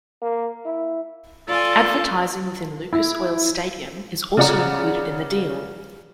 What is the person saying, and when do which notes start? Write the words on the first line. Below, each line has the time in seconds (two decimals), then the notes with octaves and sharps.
Advertising within Lucas Oil Stadium is also included in the deal.
0.22 A#3
0.66 E4
1.48 F4 A4 D5 G#5
2.93 E4
4.37 C#3 F4 D5 F#5 A#5